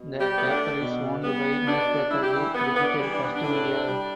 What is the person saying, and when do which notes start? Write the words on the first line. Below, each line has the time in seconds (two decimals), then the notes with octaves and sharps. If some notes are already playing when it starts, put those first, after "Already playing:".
The paper is owned by newspaper group Digital First Media.
Already playing: B2
0.20 G3 G4
0.35 A3 B3
0.49 D4
0.79 B2
1.22 G3 B3
1.66 B2 D4
2.10 G3 E4
2.22 G4
2.32 E3 E4
2.54 A2 B3
2.75 B3
2.83 D4
2.98 E3 G3
3.13 D4
3.24 B3
3.35 D4
3.42 A2
3.86 G3